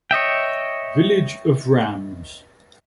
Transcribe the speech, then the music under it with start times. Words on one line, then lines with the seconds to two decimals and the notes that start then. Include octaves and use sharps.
Village of Rams.
0.11 C#5 D#5 E5 G5